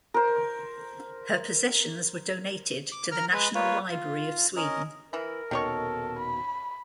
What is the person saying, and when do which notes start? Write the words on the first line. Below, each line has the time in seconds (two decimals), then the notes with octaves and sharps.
Her possessions were donated to the National Library of Sweden.
0.14 A#4 C5
2.92 D6
3.11 A#4 A#5 F6
3.32 G#3 B4
3.55 A#3 F4 B4 C#5
3.89 F4
4.56 C#4 A#4 D#5
5.13 E3 E4 A#4
5.51 D#1 B2 D#3 A4 C#5 C#6
6.19 B5